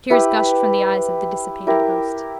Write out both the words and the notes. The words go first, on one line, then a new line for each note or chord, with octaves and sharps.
Tears gushed from the eyes of the dissipated host.
E4 G4 B4
E4 G4 A#4